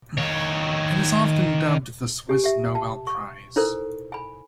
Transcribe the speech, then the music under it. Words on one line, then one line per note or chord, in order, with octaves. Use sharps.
It is often dubbed the Swiss Nobel Prize.
D#3 C#5
G4 G#5
G4 E5
A5
C#6
D#4 E4 A4 A#4 C5
G#5 B5